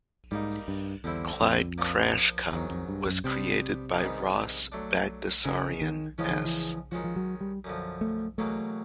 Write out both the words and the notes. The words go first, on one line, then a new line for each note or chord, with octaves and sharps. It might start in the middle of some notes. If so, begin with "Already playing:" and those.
Clyde Crashcup was created by Ross Bagdasarian S.
G#2 G3 A#3 D#4
G2
E2 D3 G3 C4 E4
F2
F3 A#3 D4
E2 G#2 D#3 F#3
F2
G2
F#2
C3 G3 B3 D4 G4 C5
G#2 D#3 G3 B3
F#3 A3 D4
C#3 G#3 C#4 F#4 A#4
D#3
E2 C#3 E3 F3 G#3 C#4
D#3
E3
D#3 F3 G#3 C#4 F#4
F3
F#3
G3
F#2 D3 F3
A3
E2 B2 F#3 A3 A#3